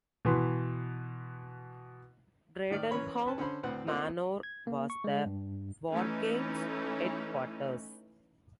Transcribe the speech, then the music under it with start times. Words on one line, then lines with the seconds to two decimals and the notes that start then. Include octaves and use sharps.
Bradenham Manor was the Wargames' Headquarters.
0.25 B2 E3 B4 C6
2.70 A2 D#3 D5 F6
2.91 E3 C#4 A#4 C#5 B5
3.26 C#4 B4 A5
3.38 D3 C#4 C5 B5 C6
3.63 D2 A2 C4 B4 F#5
3.87 A#3 C4 D#4 F4
4.43 G#6
4.67 A#3
4.90 C#6
5.04 G#3
5.26 G2
5.93 E3 A3 C#4 D#4